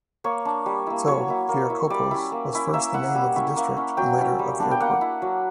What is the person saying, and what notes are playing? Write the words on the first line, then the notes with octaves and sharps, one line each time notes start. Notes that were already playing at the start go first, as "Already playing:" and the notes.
So "Viracopos" was first the name of the district and later of the airport.
A#3 C#5
D4
G3
A#3 E4
F#3 C#5
A#3 E4
A#3
E4
G3 D5
C#4 E4
A#3
C#4 E4
A#3 E5
E4 F#5
G3
C#4 E4
A#3
C#4 E4
F#3 G5
C#4 E4
G3
B3 D4
G5
A#3 F#5
E4
F#3